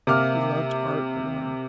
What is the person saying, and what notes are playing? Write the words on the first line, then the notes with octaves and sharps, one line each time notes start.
He loved art alone.
C3 A#3 D6 F6